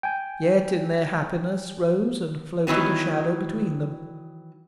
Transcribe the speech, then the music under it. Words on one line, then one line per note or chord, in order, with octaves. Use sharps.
Yet, in their happiness, rose and floated a shadow between them.
G5 G#5
D#3 E3 F#3 B3